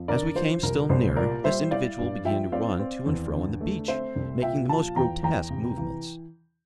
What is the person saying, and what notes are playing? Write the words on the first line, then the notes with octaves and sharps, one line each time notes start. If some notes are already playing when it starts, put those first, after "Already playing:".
As we came still nearer, this individual began to run to and fro on the beach, making the most grotesque movements.
Already playing: F2
D3 A#4 D5
F3 C5
C2 A#4
C2 C5
A#2 A#4 D5
G3 C5 E5
E4 D5 F5
G2
F3 E5 G5
C4 D5 F5
C4
E2
D3
A3
C4 C5 E5
C2
A#2 E5 G5
F3 F5 A5
E2 G5 A#5
E2 G5 A#5
C3
E3